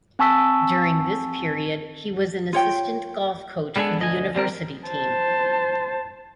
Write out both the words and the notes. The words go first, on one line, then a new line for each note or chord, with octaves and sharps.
During this period he was an assistant golf coach for the university team.
C4 G#5 A5 C#6 E6 B6
F4 C#5 G5
G3 G#3 B3 D4 G#4 A4
D2 D#5 G#5
D3 G3 C4 A#4
C5 A5